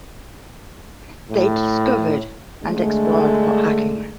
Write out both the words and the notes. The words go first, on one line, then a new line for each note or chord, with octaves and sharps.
They discovered and explored Port Hacking.
A2
D3 G#3 A3